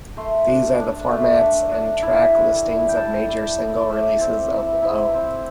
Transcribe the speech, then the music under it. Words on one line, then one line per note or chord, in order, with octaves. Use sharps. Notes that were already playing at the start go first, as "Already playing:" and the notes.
These are the formats and track listings of major single-releases of "Low".
A3 C6
D4
D4
A3
D4
D4
E4
G3
E4
G5
G3 A5
E4
G3
D5
A3 E5
C4
E4
E4
C4